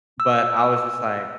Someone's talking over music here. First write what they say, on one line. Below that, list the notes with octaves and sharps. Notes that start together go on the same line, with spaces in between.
but I was just, like,
E6